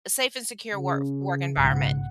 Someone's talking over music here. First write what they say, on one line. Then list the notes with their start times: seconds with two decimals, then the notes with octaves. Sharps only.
a safe and secure work f work environment,
0.72 C#3
1.57 B1 G#2 C#3 F#5